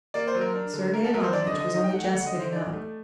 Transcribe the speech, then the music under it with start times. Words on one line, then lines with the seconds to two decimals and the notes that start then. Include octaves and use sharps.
Sergey Ivanovitch was only just getting up.
0.14 A#3 D5
0.27 C5
0.35 F#3
0.41 A#4
0.54 D4
0.73 D3
0.94 A#3 A#4
1.04 A4
1.14 F#3 A#4
1.23 C5
1.33 D4 D5
1.47 D#5
1.54 D3
1.60 D#5
1.73 D#4 D#5
1.84 G5
1.93 A3 F#5
2.03 G5
2.13 D3 F#5
2.27 D#5
2.33 D3
2.40 C5
2.52 D#4 D5
2.73 A3